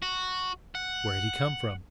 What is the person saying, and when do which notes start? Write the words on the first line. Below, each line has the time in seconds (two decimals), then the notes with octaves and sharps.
Where had he come from?
0.02 F#4
0.75 F#5